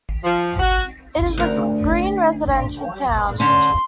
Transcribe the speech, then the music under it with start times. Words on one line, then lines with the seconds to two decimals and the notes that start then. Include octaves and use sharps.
It is a green residential town.
0.24 F3
0.59 F#4
1.38 D2 A#4
3.40 D3 C#4 C6